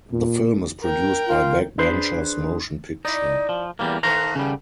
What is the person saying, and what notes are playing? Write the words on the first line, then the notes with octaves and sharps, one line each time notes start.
The film is produced by Back Benchers Motion Picture.
A#2
A#4 G5
F4
D4 G#4 B4 C5
D#4 E4 D5
F3
E2 E3 G3 A#3
D#3 A3 B3 C5 F5 A#5
C#3 G3